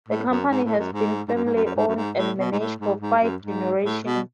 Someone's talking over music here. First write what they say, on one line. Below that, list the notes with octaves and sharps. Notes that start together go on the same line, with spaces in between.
The company has been family-owned and managed for five generations.
A2
F#2
G#2
A2
F#2
G#2
G#2
F#2
G#2
F#2
F#2
G#2
F#2
G#2
A2
B2
G#2
A2
G#2
G#2
F#2
G#2
A2
B2